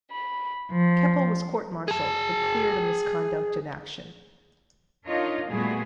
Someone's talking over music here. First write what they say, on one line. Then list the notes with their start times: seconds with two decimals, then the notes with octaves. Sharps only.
Keppel was court-martialled but cleared of misconduct in action.
0.10 B5
0.70 F3
1.88 G#4 A5
5.06 D4 D#4 F4 A#4 C#5 D#5
5.50 A#2 G3 A3 B3 F#4 G#4